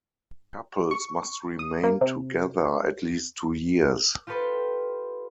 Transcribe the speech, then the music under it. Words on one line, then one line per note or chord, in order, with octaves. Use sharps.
Couples must remain together at least two years.
C#6
D#6
A#3
C3
F4 G4 A4 B4 C6